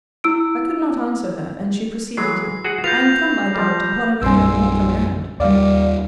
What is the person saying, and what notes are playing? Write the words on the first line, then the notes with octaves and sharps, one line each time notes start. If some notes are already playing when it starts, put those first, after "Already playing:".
I could not answer her, and she proceeded--I am come, I doubt, upon a very unwelcome errand.
E4 E6 D7
E3 F#3 G#3 C7
F#4 G#4 F#5
F4 B4 G6 A#6 F7
F3 G3
A#1 F#2 G3 G#5 C6 E6
D#2 G3 D5 F5